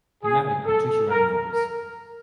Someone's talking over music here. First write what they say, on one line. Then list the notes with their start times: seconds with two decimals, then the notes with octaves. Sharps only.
He married Patricia Ann Norris.
0.24 G#4
0.66 A4
1.10 A#4
1.52 A#4